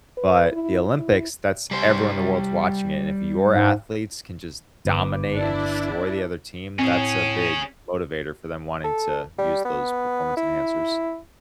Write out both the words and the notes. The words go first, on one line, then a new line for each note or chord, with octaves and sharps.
But the Olympics, that's everyone in the world's watching it, and if your athletes can just dominate and destroy the other team, that's a big motivator for them wanting to use those performance enhancers.
B4
E4
E4
G3 C5
G#2
G1 B4 D6
D4 E4
A2 C4 C#4 G#4
A4
G3
B3
E4